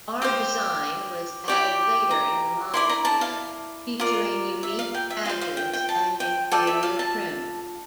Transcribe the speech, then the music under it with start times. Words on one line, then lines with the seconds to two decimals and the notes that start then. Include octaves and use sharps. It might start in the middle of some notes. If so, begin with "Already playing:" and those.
R-Design was added later in the model year, featuring unique badges and interior trim.
0.22 G4 C5 F5
1.48 E4 G4 D5 G5
2.11 A#5
2.74 E4 A#4 D5 C6
2.89 A#5
3.05 A5
3.21 F5
4.00 F4 A#4 D5
4.63 E5
4.79 F5
4.94 G5
5.10 E5
5.25 F4 C5 F5
5.41 F5
5.57 G5
5.73 G5
5.89 A5
6.20 G5
6.52 F4 A4 D5 G5
6.67 E5
6.83 F5
6.99 A5